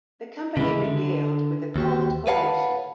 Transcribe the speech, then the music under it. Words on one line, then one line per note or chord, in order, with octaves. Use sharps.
The company regaled with a cold collation.
C#3 E3 G#3 E4
D3
D#2 F#4 G4
B4 C#5 F5 F#5 A5 B5